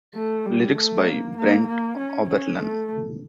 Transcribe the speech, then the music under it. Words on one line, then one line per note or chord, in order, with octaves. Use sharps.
Lyrics by Brent Oberlin.
A3
G3
A3
A#3
A#3
A#3
C#4
C#4
A3